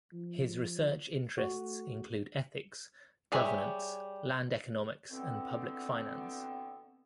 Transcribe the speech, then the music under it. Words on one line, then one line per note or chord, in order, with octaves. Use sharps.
His research interests include ethics, governance, land economics and public finance.
F3
A3 F#4
G3 G#4 B4 C#5 E5
B2 D3 E3 B3 C4